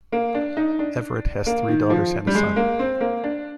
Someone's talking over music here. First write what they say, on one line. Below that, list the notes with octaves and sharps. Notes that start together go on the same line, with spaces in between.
Everitt has three daughters and a son.
A#3
D4
D#4
D4
A#3
D#3
F3
G3
G#3
A#3
C4
A#3
D4